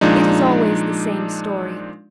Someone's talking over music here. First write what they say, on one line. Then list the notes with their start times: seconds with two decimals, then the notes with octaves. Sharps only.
It is always the same story.
0.01 A#2 F3 G#3 D4 D#4